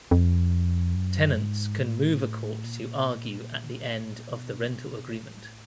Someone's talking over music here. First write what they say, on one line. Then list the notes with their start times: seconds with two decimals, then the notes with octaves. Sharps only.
Tenants can move a court to argue at the end of the rental agreement.
0.11 F2
0.95 F#2
1.38 G#2
1.80 A2
2.64 A#2
4.33 B2
5.18 A2